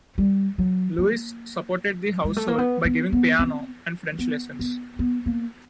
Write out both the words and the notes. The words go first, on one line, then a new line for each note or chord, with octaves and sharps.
Luise supported the household by giving piano and French lessons.
G3
F#3
A#3
G#3
A3
A#3
B3
B3
B3
C4
B3
B3
B3
A#3